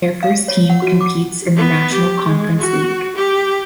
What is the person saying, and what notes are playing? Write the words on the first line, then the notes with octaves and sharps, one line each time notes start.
Their first team competes in the National Conference League.
F5
C#5
F#5
F#4
D6
B3
G4
G#3
F#4
G4